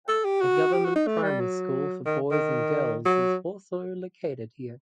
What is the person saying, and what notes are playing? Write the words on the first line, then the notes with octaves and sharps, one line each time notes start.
A government Primary school for boys and girls is also located here.
A4
G4
F#4
G4
F#4
D#4
A3
G3
F#3
D#3
D#3
F#3